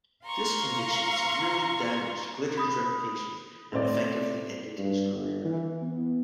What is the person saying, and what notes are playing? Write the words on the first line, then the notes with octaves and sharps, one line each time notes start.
This conviction severely damaged Glitter's reputation and effectively ended his career.
F5 A#5 C6 C#6
B5 D#6
A2 C4 D5
G2
G1
E3
B3